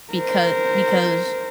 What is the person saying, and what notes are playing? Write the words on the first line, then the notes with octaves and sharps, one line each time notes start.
becau because
A#4 C5